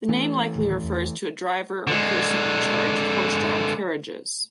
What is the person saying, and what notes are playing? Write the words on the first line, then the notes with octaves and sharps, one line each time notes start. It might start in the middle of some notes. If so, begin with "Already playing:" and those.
The name likely refers to a driver or person in charge of horse-drawn carriages.
E3 A3 C#4
D2 A2 D#3
E2
D3 G#3